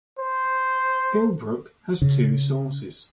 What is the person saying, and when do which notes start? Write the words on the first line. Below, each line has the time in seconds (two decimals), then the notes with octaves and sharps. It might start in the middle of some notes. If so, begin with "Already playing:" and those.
Pyl Brook has two sources.
0.19 C5
2.02 C#3